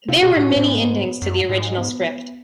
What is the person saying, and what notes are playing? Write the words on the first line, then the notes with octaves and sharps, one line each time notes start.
There were many endings to the original script.
C3 F4
B2 G4
A2 F#4
C4
A2
G#2 B3
F#2
G#2
B3